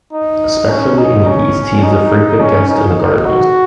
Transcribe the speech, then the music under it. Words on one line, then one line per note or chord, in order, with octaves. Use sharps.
Especially in the east, he is a frequent guest in the gardens.
D#4
C#4
D#4
C#4
D#4
C#4
D#4
F#4